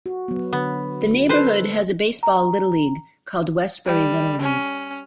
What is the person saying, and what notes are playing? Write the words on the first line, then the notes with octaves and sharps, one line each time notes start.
The neighborhood has a baseball little league called Westbury Little League.
F#4
F#3 B3
D3 B3
A4 B4 C5
A#5
G3
C#4